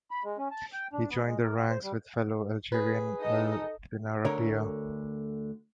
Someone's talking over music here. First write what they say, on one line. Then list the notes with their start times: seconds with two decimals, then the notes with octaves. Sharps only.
He joined ranks with fellow Algerian, Ali Benarbia.
0.11 B5
0.24 G#3
0.38 C#4
0.51 A5
0.73 G5
0.93 D4
1.10 B3
1.25 G#3
1.41 A#4
1.56 F#4
1.70 C5
1.83 G3
2.72 G#4 B4
3.21 D#4 A4 D#5
4.25 D2 D3 A#4 C#5